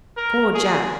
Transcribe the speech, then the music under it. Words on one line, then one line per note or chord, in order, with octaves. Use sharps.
Poor Jack!
A#4
G#4